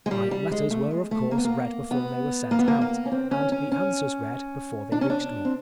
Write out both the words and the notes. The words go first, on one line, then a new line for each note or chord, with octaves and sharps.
My letters were of course read before they were sent out, and the answers read before they reached me.
G#3
G3
G3
G#3
A3
G#3
A3
A#3
B3
A#3
B3
A#3
B3
A#3
A#3
C#4
C4
C#4
C#4
C#4
D4
C#4
D4
C4